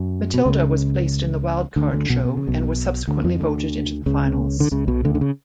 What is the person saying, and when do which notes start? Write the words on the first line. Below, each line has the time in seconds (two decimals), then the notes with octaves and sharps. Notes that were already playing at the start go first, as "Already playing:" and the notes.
Mathilda was placed in the wildcard show and was subsequently voted into the finals.
Already playing: F#2
0.34 B2
0.45 C#2 C#3
1.76 D2 D3
1.93 D2 D3
2.09 B1 B2
2.25 B2
2.37 C#3
2.47 B1 B2
3.08 D2 D3
3.24 F2 F3
3.40 D2 D3
4.06 C#2 C#3
4.60 D3
4.71 C#2 C#3
4.88 B1 B2
5.05 D2 D3
5.15 D3
5.21 C#3